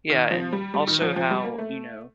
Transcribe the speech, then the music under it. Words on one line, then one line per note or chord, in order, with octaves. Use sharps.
Yeah, and also how, you know,
D#3
F3
G3
G3
D#3
F3
F3
G3
A#3
A3